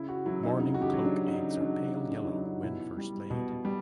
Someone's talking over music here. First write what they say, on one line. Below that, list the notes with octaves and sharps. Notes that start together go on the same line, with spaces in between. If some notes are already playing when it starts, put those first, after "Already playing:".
Mourning cloak eggs are pale yellow when first laid.
Already playing: C#3 E4
F#4
F#3 E4
D#4
C#3 D#4
F#4
G4
F#3
D4
C#3 D#4
F#3 D4
C#3 D#4
D4
E4
F#3 D#4
D#4
B2 E4
G3
B2
G3